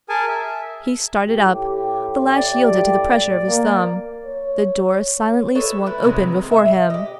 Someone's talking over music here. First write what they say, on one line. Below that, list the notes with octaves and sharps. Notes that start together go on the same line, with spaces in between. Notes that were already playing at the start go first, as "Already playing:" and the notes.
He started up, the latch yielded to the pressure of his thumb: the door silently swung open before him.
G#4 A#4 G#5 A5
E5
A2 G4
D5
A#3
C#5
A4 B4 C#5 D#5
A3 E4 B4
C3 D#3 G#3 B3
E5
G4 D#5